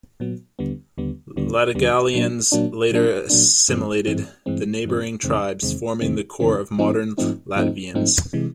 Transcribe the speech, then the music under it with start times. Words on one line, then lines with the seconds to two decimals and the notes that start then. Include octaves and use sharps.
Latgalians later assimilated the neighbouring tribes, forming the core of modern Latvians.
0.20 A#2 F#3 B3
0.59 D#2 D3 G3 B3
0.98 D#2 D3 G3 B3
1.36 D#2 D3 G3 B3
1.75 D#2 D3 G3 B3
2.14 A#2 F#3 A#3 D4
2.52 A#2 F#3 A#3 D4
2.91 A#2 F#3 A#3 D4
3.30 A#2 F#3 A#3 D4
3.69 G2 E3 G#3 C4
4.07 G2 E3 G#3 C4
4.46 G2 E3 G#3 C4
4.85 G2 E3 G#3 C4
5.23 E2 C3 D#3 G#3 C4
5.62 E2 C3 D#3 G#3 C4
6.01 E2 C3 D#3 G#3 C4
6.40 E2 C3 D#3 G#3 C4
6.79 G#2 F3 A3 C4 D#4
7.18 G#2 F3 A3 C4 D#4
7.56 G#2 F3 A3 C4 D#4
7.94 G#2 F3 A3 C4 D#4
8.33 C3 E3 G#3